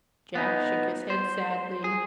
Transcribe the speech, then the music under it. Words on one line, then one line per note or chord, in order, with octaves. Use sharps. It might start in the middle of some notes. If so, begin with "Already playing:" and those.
Jack shook his head sadly.
B3 D#4
C5
G#4